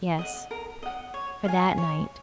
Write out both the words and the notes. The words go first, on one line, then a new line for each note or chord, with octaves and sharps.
Yes, for that night.
D#5 F#5
A#4
D#5 F#5
C#5
F5 G#5
C#5